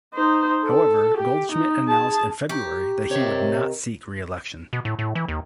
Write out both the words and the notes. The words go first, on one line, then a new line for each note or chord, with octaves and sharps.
However, Goldschmidt announced in February that he would not seek re-election.
D#4 C5
A4
G4
D#4
G#4 A5
G4 A#5 C#6
C3 D#3 C#5 E5
B2
A2
A2
E3
D#2